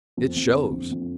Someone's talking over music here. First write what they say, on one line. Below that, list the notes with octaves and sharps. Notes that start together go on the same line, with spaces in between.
It shows.
F2 C4
F2
D3
F2
F2